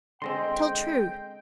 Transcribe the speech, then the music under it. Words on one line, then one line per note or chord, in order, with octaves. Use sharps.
Tell true.'
D3 G#3 C4 D#5 G5 C6